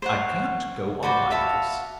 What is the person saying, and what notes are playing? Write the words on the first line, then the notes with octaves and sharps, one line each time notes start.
I can't go on like this.
C5 C#5 F#5
F#4 B4 C5 D5
F#4 E5 F5 A5